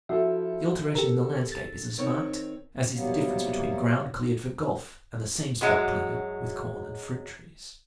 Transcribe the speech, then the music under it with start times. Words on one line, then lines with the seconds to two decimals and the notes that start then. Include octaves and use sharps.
The alteration in the landscape is as marked as is the difference between ground cleared for golf and the same spot planted with corn and fruit-trees.
0.09 F3 E4 F#4 A4 E5
0.95 G4 A4 A#4
1.52 A6
1.98 D#3 C4 C#5
2.94 C3 F#3 G3 A#3 B3
5.61 F#2 F#3 G#3